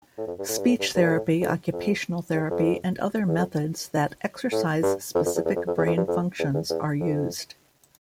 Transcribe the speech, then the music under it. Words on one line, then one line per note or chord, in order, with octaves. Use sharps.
Speech therapy, occupational therapy, and other methods that "exercise" specific brain functions are used.
A2
F2
G2
A2
G2
A2
G2
G2
A#2
A2
F2
F2
E2
F2
E2
F2
A2
G2
F2
F2
E2
E2
F2
F2
E2
F2
G2
F2
E2
E2
E2
F2